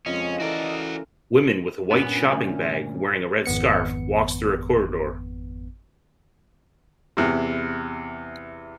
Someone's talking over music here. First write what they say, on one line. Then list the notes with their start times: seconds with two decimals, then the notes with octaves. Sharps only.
Women with a white shopping bag wearing a red scarf walks through a corridor.
0.06 F2 C#3 F3 G#3 C#4 D#5
0.40 E3 C#4 F#4 A4 A#4 D5
1.91 G2 A#2 B3 C#4
2.32 D2
3.46 G#1 F2 B3 C#7
7.17 E2 C3